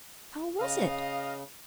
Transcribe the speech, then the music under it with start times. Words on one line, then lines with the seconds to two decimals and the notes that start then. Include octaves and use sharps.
How was it?
0.60 C#3 D#5 F5